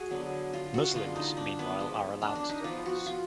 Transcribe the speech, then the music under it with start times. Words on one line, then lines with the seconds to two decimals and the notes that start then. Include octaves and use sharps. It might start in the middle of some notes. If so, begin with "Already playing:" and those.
Muslims meanwhile are allowed to divorce.
Already playing: F#4 G#4
0.10 D3 F#3 B3
0.53 F4
0.74 F#4
0.95 D3 G#3 B3 F4
1.16 D#4
1.37 D4
1.59 B3
1.80 F3 G#3 B3
2.22 D4
2.35 D4
2.49 D#4
2.64 F3 B3 F4
2.86 F#4
3.06 F4